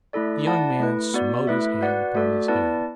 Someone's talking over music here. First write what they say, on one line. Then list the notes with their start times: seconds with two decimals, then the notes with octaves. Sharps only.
The young man smote his hand upon his head.
0.13 A3 E4 A4 D5
0.46 E4 D5 F#5 A5
0.80 A3 E4 B4
1.14 B3 F#4 D5
1.47 A3 E4 B4 E5
1.81 F#4 B4 D5 F#5
2.15 A3 F#4 A4 D5
2.48 B3 E4 B4 D5 A5